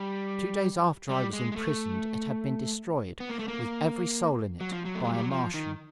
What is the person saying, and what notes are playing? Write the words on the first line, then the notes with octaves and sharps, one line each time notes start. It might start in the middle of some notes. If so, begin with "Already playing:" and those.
Two days after I was imprisoned it had been destroyed, with every soul in it, by a Martian.
Already playing: G3
G3
G#3
G#3
A3
B3
A#3
A3
A#3
F#3
F3
F#3
A3
G#3
G3
F#3
F3
D#3